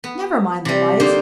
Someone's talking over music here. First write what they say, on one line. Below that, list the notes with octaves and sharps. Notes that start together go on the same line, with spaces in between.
Never mind the lights.
B3
C3 G3
D3 A#3 D#4 C5